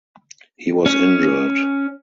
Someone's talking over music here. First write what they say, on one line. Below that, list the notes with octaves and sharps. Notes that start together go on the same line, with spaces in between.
He was injured.
C#4